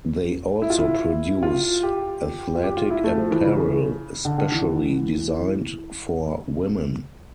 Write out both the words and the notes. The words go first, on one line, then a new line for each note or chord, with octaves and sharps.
They also produce athletic apparel specially designed for women.
E4
F4
E4
F4
G4
F4
G4
F4
E4
A3
F3
E3
C#3
D3
D3
E3